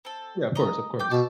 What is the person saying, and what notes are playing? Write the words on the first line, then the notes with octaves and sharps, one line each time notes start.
Yeah, of course, of course.
C4 A4
D#5 A#5
G5 D6 G6
B2 A5 E6